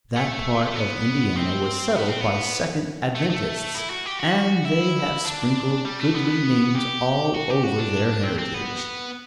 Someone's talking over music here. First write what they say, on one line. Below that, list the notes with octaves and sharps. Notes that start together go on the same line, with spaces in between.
That part of Indiana was settled by Second Adventists, and they have sprinkled goodly names all over their heritage.
A3
B3
C4
B3
C4
B3
A3
A3
E4
F#4
G4
F#4
E4
D4
G3
A3
B3
G4
F#4
G4
F#4
D4
C4
C4
B3